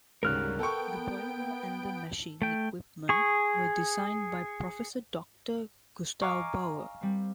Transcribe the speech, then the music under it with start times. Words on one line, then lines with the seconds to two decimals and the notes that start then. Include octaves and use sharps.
The boiler and the machine equipment were designed by Professor Doctor Gustav Bauer.
0.23 D2 G#2 C#3 G3 A#4 F6 F#6
0.59 B3 A4 G5 C#6 D7
2.42 A3 G5
3.09 G#4 C#6
6.22 D#5 F5 G#5 A#5 C#6 D6
7.01 G3 C4